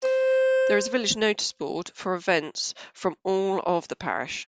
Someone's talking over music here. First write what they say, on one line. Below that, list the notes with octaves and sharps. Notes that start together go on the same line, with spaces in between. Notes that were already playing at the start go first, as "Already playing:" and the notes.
There is a village notice board for events from all of the Parish.
C5